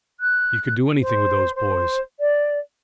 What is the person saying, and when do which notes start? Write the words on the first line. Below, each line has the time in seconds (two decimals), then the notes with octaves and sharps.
'You could do anything with those boys.
0.20 F#6
1.01 C5
1.55 C5
2.19 D5